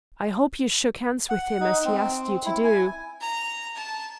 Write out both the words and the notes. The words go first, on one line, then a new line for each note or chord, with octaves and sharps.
"I hope you shook hands with him as he asked you to do?"
F#5
D#4
C4
E4
G#5
A#5
A5